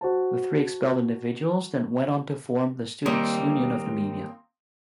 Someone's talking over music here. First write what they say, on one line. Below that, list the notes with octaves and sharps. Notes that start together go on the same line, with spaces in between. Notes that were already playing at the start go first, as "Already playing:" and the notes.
The three expelled individuals then went on to form the Students Union of Namibia.
F#4 C5 A5
D#2 G3 A#3 C4 D#4